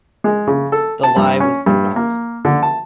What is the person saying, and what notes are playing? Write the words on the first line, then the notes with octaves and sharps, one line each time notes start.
The Lie was the Nark.
G#3
C#3
A4
A5
G2
C#4
G2
A#3
D3
A5